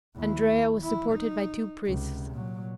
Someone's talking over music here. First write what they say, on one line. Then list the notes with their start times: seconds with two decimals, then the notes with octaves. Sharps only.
Andrea was supported by two priests.
0.16 D#2 E4
0.82 E3 E4
1.12 D#4
1.86 C#2 C3
2.31 A#2 F#3